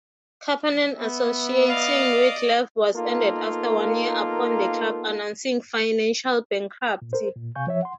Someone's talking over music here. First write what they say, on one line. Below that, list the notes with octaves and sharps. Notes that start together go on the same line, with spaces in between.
Kapanen association with Lev was ended after one-year upon the club announcing financial bankruptcy.
B3 E5
D5 D#5 F5
A#3 B3 D#4 F4 A4 A#4
A#2
A#4 C5
A#2
C3 F5 G#5 C#6 G6
F3 C#5 E5
F#5 C6